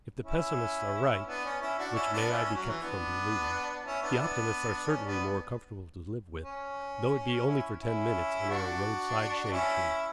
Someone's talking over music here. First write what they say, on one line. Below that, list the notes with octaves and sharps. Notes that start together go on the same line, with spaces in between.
If the pessimists are right,--which may I be kept from believing,--the optimists are certainly more comfortable to live with, though it be only for ten minutes under a roadside shade-tree.
C#4 E4
B3 D4
C#4
C#4 E4
D4 F#4
C#4 E4
B3 D4
C#4 E4
C#4
F#3
E3
B3 D4
C#4 E4
B3 D4
E4
B3 D4
C#4
B3 D4
C#4
C#4 E4
C#4 E4
D4 F#4
D4
C#4 E4